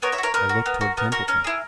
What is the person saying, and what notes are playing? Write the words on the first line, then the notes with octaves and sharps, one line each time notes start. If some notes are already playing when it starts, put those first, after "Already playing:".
I looked toward Templeton.
B3 A#4 C#5
C#5 E5
F#4
A#4 C#5
B3 A#4
F#4
B3
F#4
B3 A#4
F#4 A#4
C#4 A#4
E4 G#4